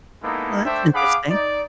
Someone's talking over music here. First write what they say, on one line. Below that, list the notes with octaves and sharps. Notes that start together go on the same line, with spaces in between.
Well, that's interesting.
G#3 A#3 B3 D#4 E4 A4
A3 D4 A4 C5 E5 G5
D4 G#4 F5 F#5 B5 D6
D#4 D5